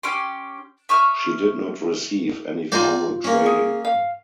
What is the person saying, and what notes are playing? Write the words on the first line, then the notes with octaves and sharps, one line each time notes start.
She did not receive any formal training.
C#4 G4 C6
E5 C#6 D#6 F6
F4 C5 D5 G#5 A#5
A#3 C#4
G#4
F5